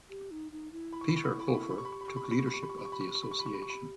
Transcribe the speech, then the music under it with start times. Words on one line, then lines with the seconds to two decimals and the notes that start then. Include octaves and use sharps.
Peter Hofer took leadership of the Association.
0.10 G4
0.31 D#4
0.52 D#4
0.72 E4
0.93 B5
1.01 C#6
1.09 B5
1.16 C#6
1.24 B5
1.31 C#6
1.40 B5
1.47 C#6
1.54 B5
1.63 C#6
1.70 B5
1.76 G4 C#6
1.85 B5
1.92 C#6
2.01 B5
2.08 C#6
2.16 B5
2.24 C#6
2.31 B5
2.39 C#6
2.47 B5
2.54 C#6
2.63 B5
2.70 C#6
2.78 B5
2.85 C#6
2.92 B5
3.01 C#6
3.08 B5
3.15 C#6
3.23 B5
3.31 C#6
3.39 B5
3.46 C#6
3.54 B5
3.62 C#6
3.70 B5